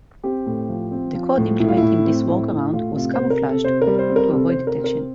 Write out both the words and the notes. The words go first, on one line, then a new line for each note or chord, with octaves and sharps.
The code implementing this workaround was "camouflaged" to avoid detection.
C4 G4
A2
F3
C4
F3
A2
A2 E4
F4
E4
A2
C4
A2 E4
A2 E4
A2 F4
C3 F4
C5
C3
A#4
C3
A4
C3 C5
A#4
G3
C5
C4
A#4
C3 A4
C5
C3
A#4
C4
A#4